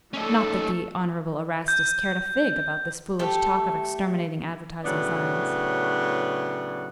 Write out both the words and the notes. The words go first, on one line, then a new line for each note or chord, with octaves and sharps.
Not that the Honorable Erastus cared a fig about this foolish talk of exterminating advertising signs.
A3 C#4 D#4 A4
G6
A3 G4
A2 C#3 F#3 B3 D4 F#5